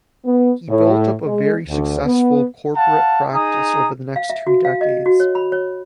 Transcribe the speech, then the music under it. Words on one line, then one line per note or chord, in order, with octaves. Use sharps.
He built up a very successful corporate practice over the next two decades.
B3
A2
G#3
D2
B3
F5 F#5 A5
D#4 G#4 A#5 D#6
F5
E5
F#4
F5
D#5
F#4
C#5
B5
C#5